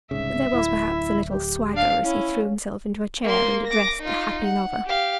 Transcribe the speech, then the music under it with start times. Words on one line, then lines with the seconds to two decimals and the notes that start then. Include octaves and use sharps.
There was perhaps a little swagger as he threw himself into a chair and addressed the happy lover.
0.11 C2 G#2 C#3 E5
0.53 D1 E4
1.30 G4
1.74 D4 F5
2.03 C#4 E4
3.24 A#3 C6
3.67 D6 A#6
4.02 D#4 F4
4.44 F#5
4.85 G4 F5